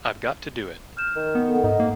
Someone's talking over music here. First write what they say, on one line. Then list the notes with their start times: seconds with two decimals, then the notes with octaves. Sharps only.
I've got to do it.
0.97 F6 G6 E7
1.16 D#3
1.35 B3
1.48 A4 F#5
1.64 G#2 D#4
1.80 A#3